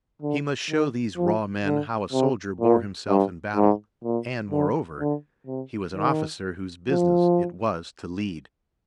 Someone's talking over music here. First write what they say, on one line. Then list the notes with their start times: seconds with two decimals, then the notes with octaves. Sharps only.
He must show these raw men how a soldier bore himself in battle, and, moreover, he was an officer whose business it was to lead.
0.22 D3
0.69 D#3
1.17 F3
1.65 D3
2.12 C3
2.61 A#2
3.08 G2
3.56 G#2
4.04 A#2
4.51 D3
4.99 D3
5.47 C3
5.94 D#3
6.90 F3